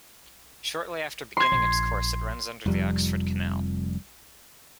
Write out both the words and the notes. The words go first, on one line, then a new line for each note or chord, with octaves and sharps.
Shortly after beginning its course it runs under the Oxford Canal.
C6 G#6
A#1
F1 F2 G3